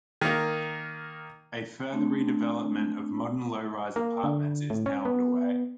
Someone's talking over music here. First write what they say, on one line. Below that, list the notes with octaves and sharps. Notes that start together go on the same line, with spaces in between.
A further redevelopment of modern low rise apartments is now underway.
D#3 A#3
A3 C4 D4
A#3
D3
A2
C#4
B3